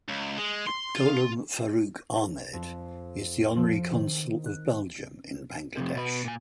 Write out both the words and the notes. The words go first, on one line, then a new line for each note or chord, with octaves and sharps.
Golam Faruk Ahmed is the honorary consul of Belgium in Bangladesh.
C#2
G#3
C6
F4
F2
F3
D#3
F#6
F2 C3
B2 B4
A#2 G#5